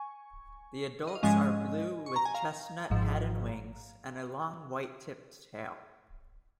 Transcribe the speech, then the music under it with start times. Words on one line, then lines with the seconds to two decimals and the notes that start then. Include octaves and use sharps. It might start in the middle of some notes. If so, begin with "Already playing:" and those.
The adults are blue with chestnut head and wings, and a long white-tipped tail.
Already playing: G#5 C#6
1.07 D#5
1.15 F5
1.23 G#2 F3 G#3 C#4 D#5 G#5
2.06 C#6
2.16 A#5
2.25 G#5
2.35 F5 A#5
2.90 G#1 G#2 F3